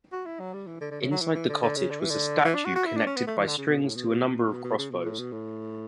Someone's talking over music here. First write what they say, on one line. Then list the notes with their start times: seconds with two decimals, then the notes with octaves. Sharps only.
Inside the cottage was a statue, connected by strings to a number of crossbows.
0.12 F#4
0.26 E4
0.40 F#3
0.53 G3
0.67 E3
0.81 D3
0.91 D3
1.01 C#3
1.11 F#3
1.21 E3
1.35 E3
1.49 D3
1.63 D3
1.77 C#3
1.90 D3
2.00 E3
2.10 D3
2.45 E3
2.55 D4
2.65 F#4
2.76 F#4
2.86 E4
2.96 D4
3.07 C#4
3.17 B3
3.27 A3
3.37 E3
3.48 D3
3.58 C#3
3.68 B2
3.82 A2
3.96 B2
4.09 B2
4.30 B2
4.40 A2
4.51 B2
4.64 B2
4.78 C#3
4.91 B2
5.05 A2
5.18 B2
5.32 A2